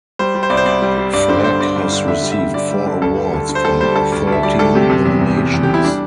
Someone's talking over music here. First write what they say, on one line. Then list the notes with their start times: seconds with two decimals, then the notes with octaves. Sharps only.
Flack has received four awards from thirteen nominations.
0.19 G3 C5
0.35 G3
0.43 C5
0.50 C2 D5
0.57 C5
0.66 C2 D5
0.82 G3
0.98 G3
1.13 G2 D5
1.29 D3 C5
1.44 G3 C5
1.60 D3 D5
1.76 G2
1.92 D3
2.08 D3 E5
2.23 G3
2.32 E5
2.39 G3
2.54 D3 D5
2.71 G3
2.86 D3
3.02 D2 A4
3.17 G3
3.34 D3
3.49 D3
3.55 C5
3.64 G3 A4
3.80 G3 C5
3.96 D2 A4
4.12 D2
4.27 D2
4.32 E5
4.43 G3 D5
4.59 D2 A4
4.75 C3 G4
4.90 C3
5.06 E2
5.21 E2
5.37 C3
5.54 E2
5.63 G4
5.69 C3 E4
5.84 G3 D4